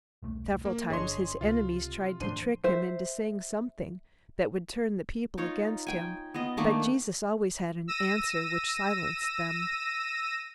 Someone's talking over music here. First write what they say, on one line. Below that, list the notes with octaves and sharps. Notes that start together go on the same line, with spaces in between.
Several times his enemies tried to trick him into saying something that would turn the people against him, but Jesus always had an answer which silenced them.
E1 C2 A3
A#3
G1 D4 G#4 C#5 D#5 C6
C#2 C3 F4
D#2 A2 F3 D4 C5 C6 D#7
C5 E5
D#4 F4 C#5
G5 G#5
B3 F4 D#5
D#3 A3 A#3 D4
E6 A#6 D#7